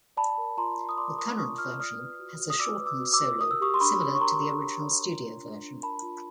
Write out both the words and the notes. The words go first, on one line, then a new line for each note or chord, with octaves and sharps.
The current version has a shortened solo similar to the original studio version.
D5 A5 B5
A#4
F4 A#5 C6
F4
D#6
D5 C6 D6
A#4 C#6 D#6
F4 C#6 D#6
F4 F6
D5 D#6 F6
B4
F#4
F#4
D#6
D5 D6 E6
B4
D6 E6
F#4
D6 E6
F#4
A#4 D#6
E6
G4 C#6 D#6
C6
D4 B5 C#6
C#5
C#6
A#4 A#5 C6
G4
D4
C#5
A#4
F4
D4
D4
A#4 A5 B5
F4